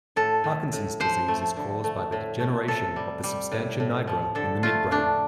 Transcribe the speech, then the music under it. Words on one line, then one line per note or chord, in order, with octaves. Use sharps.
Parkinson's disease is caused by the degeneration of the substantia nigra in the midbrain.
A2 A4
A2
A2
F3 C5
A3
D3
A3
A2
A3
C3 A4
G3
G3
A2
A2
F3
D3 A4
A3 F4
A3 D4